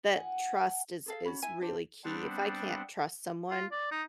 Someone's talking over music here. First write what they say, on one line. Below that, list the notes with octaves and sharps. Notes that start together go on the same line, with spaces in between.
that trust is is really key. If I can't trust someone,
F#5 G#5
G#4 A4 F5
C#4 F#4 B5
E4 E5 G#5
D4 G4 C5
G3 B3 C4 D4 C5 F#5
F4
D5
D#4